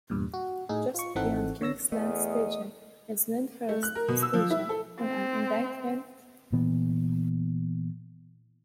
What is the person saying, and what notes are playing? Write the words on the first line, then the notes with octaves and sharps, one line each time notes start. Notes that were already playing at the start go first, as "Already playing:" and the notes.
Just beyond Kingsland station is Lyndhurst station, on an embankment.
E2 G2 A#2
F#4
A2 D#4 G#4
F4 C#6
G#1 E3 C4 D#4 A4 F#5
D3 C#5 E6 A#6
E2 A3 D#5
A3
F#6
A#4
B2
E6
F3
E4
A4
C4
A#2 E3 B3